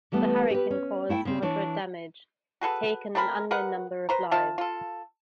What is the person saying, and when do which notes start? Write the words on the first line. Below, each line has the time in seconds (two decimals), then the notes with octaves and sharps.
The hurricane caused moderate damage, taking an unknown number of lives.
0.12 E3 G3 A3 B3
0.51 G4 B4
0.71 C#4
1.09 A3 E4 F#5 G5
1.25 C#3 C4
1.42 E3 D4 C#5
2.61 F#4 G#4 A4 B4
3.15 A3 C4 A#4 B5
3.51 G#4 A#4 B4 F#5
4.09 B4 C5 A#5
4.31 F3 F4 E5 A5
4.58 F4 A4